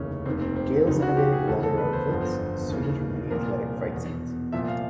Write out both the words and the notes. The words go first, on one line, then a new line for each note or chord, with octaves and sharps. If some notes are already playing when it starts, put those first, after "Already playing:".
Gale's innovative leather outfits suited her many athletic fight scenes.
Already playing: F1 D#2 C#3 E3 C#4
F1 D#2 D#3 C4
C4
C4
C#2 C#3 F3 D#4
F#4
G4
G#4
E1 D2 C#3 E3 A4
A4
B4
C5
G1 F2 D3 F3
D#2 C#3 E3
C2 A#2 F3 A#4
E2 B2
C2 A#2 F3 E5
F5